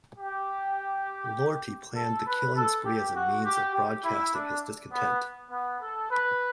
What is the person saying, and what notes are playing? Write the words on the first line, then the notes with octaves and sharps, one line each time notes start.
Lortie planned the killing spree as a means of broadcasting his discontent.
G4
A4
B4
A4
G4
F#4
G4
G4
E4
D4
B3
B3
A4
B4